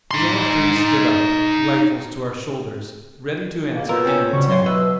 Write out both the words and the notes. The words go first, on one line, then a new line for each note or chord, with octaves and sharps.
We all three stood up, rifles to our shoulders, ready to answer any attack.
D#4 C6
C#2 A#3
B2 F4 A#4 E6
C4 C#4
C#3 F#3 G3 C#6
F#3 C#5 C6
B2 B4 D#5 E5